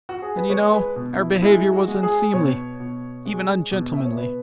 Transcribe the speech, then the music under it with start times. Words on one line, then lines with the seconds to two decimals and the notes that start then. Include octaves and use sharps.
And, you know, our behaviour was unseemly, even ungentlemanly.
0.09 F#4
0.22 G#4
0.37 B4
0.50 G#3 C#5
0.73 B4
0.96 B2
1.18 E4
1.42 G#3 E4
1.72 F#4
1.88 G#3
2.03 G#4
2.33 B2 C#5
2.80 B2
3.25 G#3
3.71 B2
3.94 E5
4.05 C#5
4.17 B2 B4